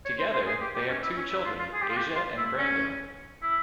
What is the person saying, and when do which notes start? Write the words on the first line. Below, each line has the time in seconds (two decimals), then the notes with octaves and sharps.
Together, they have two children, Asia and Brando.
0.05 C#5
0.18 C5
0.33 C5
0.47 G#4
0.61 G4
0.75 G4
0.89 C#4
1.03 E4
1.17 C#4
1.31 E4
1.45 F4
1.59 F4
1.73 G#4
1.82 G4
1.89 F4
1.97 G4
2.15 F4
2.37 E4
2.58 C#4
3.42 E4